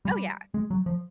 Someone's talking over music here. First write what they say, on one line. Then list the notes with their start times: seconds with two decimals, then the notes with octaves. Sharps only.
Oh, yeah.
0.05 G3
0.54 G#3
0.71 F#3
0.86 F3